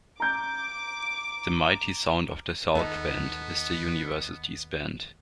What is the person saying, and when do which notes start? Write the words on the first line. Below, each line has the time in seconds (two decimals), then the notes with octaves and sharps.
The Mighty Sound of the South Band is the university's band.
0.20 A#5 D6 G6
2.75 D#2 B3 D#4 E4 A4